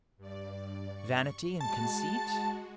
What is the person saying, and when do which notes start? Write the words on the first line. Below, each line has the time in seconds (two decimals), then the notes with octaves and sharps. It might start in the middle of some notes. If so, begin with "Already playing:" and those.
Vanity and conceit?
0.17 G2 D5
0.95 C#6
1.60 G#3 F#4 A5